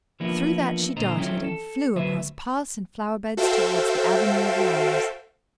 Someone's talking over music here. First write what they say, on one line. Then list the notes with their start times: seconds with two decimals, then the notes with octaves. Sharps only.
Through that she darted, and flew across paths and flowerbeds towards the avenue of limes.
0.20 E3 F3 A#3 B3 D4 E4
0.97 A#2 D3 C5 D#5 A#5
1.17 E3 F#3 C#4 E4 F#5 G5
1.44 A4
1.96 D2 F#3 B4 C5 E5
3.37 F#4 A4 C5 E5 F5 G5